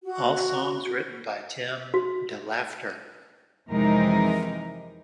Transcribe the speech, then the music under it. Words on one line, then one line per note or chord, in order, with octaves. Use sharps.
All songs written by Tim DeLaughter.
F#4
F#4
F2 C3 E3 G#3 D#4 A#4